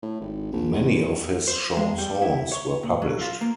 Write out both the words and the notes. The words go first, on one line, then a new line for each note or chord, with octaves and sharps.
Many of his chansons were published.
A2
G#1
A#1
E2
C5
G#3
G3
E4
C#5
A#2
F#3
F4
A#3